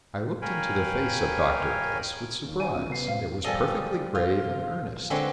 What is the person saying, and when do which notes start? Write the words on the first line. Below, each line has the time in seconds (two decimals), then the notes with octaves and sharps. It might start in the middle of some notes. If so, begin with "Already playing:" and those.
I looked into the face of Dr. S-- with surprise; it was perfectly grave and earnest.
0.42 A#4 C#5 F5 G5 G#5 B5
2.45 D#2
2.60 C5 E5 G#5 D#7
2.74 B3 C#4 F4
2.89 C3 B3 A4 C7
3.07 A2 G#3 C4 F5 C7
3.44 F3 G3 G#4 A4 D#5
4.15 F4
5.10 D3 G#3 C4 B4 C#5